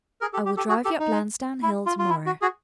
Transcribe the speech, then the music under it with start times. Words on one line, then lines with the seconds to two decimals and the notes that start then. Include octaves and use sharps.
"I will drive you up Lansdown Hill tomorrow."
0.21 G#4 A#4
0.33 G4 A4
0.45 G4
0.57 G4 A4
0.69 F#4 G#4
0.84 G4 A4
1.00 D#4
1.62 E4
1.86 F4
1.99 F4
2.10 E4
2.26 F#4
2.42 F#4 G#4